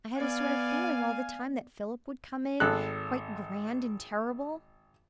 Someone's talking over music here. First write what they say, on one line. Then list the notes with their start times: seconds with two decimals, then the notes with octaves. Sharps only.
I had a sort of feeling, all the time, that Philip would come in quite grand and terrible.'
0.17 B3 D5 F5 G#5
2.60 G#1 A4 F#6